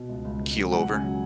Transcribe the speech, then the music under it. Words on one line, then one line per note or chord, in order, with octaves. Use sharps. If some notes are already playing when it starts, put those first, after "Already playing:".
keel over?
Already playing: B2
C#2
C#2
C#2
F#3
C#2 F#5
C#3
G#5
F#3